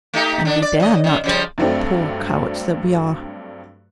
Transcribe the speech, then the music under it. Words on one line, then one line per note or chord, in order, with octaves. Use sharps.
And we dare not; poor cowards that we are!
A3 D#4 G4
D3 D4
D5
D#2 D#5
F#2 D#3
C#3 F3 G3
G2 F#3 A3 C4 D4